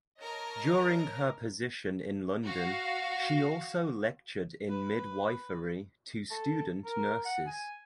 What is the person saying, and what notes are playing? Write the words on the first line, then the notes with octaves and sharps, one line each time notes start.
During her position in London she also lectured in midwifery to student nurses.
A#4 C#5 D#5 A5 F6
F#4 F5
B4
A4
A#4
F#5
G#5